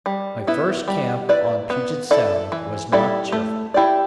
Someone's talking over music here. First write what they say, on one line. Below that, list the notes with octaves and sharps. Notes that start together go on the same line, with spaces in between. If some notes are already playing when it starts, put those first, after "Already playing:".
My first camp on Puget Sound was not cheerful.
G3
B3 E4
G3
E4 B4 D5
B3
E4 A4 D5
E3
G3 E4 A4 D5
A3
E4 G4 D5